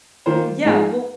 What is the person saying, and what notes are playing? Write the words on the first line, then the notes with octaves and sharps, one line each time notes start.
Yeah, well
D#3 A#3 F4 C5
G#2 F3 G#3 D#4 G#4